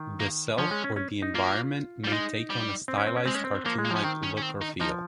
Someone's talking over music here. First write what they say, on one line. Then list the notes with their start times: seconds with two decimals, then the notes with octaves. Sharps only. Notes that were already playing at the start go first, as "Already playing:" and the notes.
The self or the environment may take on a stylized cartoon-like look or feel.
Already playing: D#3
0.20 A#3
0.58 F3 C#4
0.71 G#3
0.84 C#4
0.96 C#4
1.22 D#4
1.35 A#3 F4
2.04 G3
2.07 F4
2.12 G#3 D#4
2.50 G3
2.88 C4
2.98 C#4
3.07 C4
3.17 C#4
3.26 G#3 C4
3.34 C#4
3.44 C4
3.65 F3 A#3
3.79 G#3
3.85 A#3
3.91 F3 C#4
4.04 D#3 C4
4.23 C#4
4.38 C#4
4.42 C4
4.62 D#4
4.81 F3 D#4